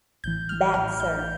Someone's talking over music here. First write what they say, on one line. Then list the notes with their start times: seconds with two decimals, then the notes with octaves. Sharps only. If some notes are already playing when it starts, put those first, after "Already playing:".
Bad, sir.
0.24 A1 A2 E3 G6
0.49 F6
0.74 A1 A2 E3 F6
1.00 G6